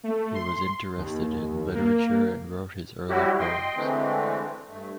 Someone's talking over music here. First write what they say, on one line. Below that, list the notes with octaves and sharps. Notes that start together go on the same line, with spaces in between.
He was interested in literature and wrote his early poems.
A3
C6
D#2
A#3
F#3 G3 E4 F#4 G4
D#5 G5 C6
D3 E3 G#3 A3 C4
G2 A3